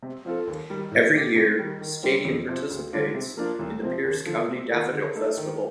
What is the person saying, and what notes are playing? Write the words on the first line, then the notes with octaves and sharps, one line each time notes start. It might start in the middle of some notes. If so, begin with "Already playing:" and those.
Every year, Stadium participates in the Pierce County Daffodil Festival.
C3
F3 C4 F4 A4
D#2
D#3 G3
A2
A3 D4 G4
C3
D#3 G3
D#3
G3 C4 G4
F2
C3 F3 C4
D2
D3 G3 D4 F4
C3
F3 A#3 D4 F4
C2
C3 F3 C4
D#2
D3 F3
C3
D#3 A#3 F4 A#4
D3
A3 D#4 A4
D#3